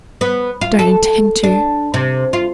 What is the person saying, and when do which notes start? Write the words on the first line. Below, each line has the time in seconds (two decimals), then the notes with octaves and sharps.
'Don't intend to.
0.21 B3
0.61 F4
0.79 A4
1.43 D4
1.94 C3
2.33 F4